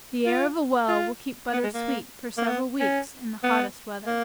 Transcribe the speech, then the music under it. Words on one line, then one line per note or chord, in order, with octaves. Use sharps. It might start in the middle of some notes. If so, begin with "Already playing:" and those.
The air of a well will keep butter sweet for several weeks in the hottest weather.
F4
F4
B3
G#3
A#3
A#3
B3
C#4
B3
A#3